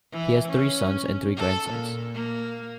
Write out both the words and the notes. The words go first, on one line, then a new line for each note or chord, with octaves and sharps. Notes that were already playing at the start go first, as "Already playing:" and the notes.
He has three sons and three grandsons.
E3
C#4
A4
A#2
A#3